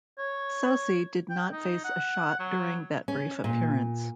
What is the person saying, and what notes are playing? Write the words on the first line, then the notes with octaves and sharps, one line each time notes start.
Soucy did not face a shot during that brief appearance.
C#5
G5
D#4
F#5
F#3
C#4
A#2